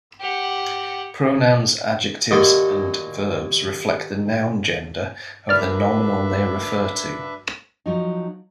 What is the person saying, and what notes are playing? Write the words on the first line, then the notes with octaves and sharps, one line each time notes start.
Pronouns, adjectives, and verbs reflect the noun gender of the nominal they refer to.
G4 F#5
D#2 A#2 F#4 D#5 C6 D#6
F#3 G#3 A#3 D4 B4 D5 E5 F6
F3 F#3 D#4